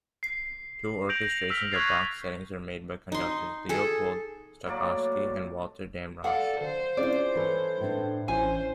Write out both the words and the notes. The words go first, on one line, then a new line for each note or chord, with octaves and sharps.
Two orchestrations of Bach's settings were made by conductors Leopold Stokowski and Walter Damrosch.
C7
G6 A#6 D7 F7 F#7
E6 F6 B6 F7
C#6 F#6 G#6 A6 C7
D#4 C6
G#4 A4
A2 F#3 A#3 D5
A4 D5 F5 F#5
D3 C5
C4 C#4 E4 F4 G#4 D5
E3 A4 B4 C#5
A2 D4
A1 E3 C#4 E4 C5 G#5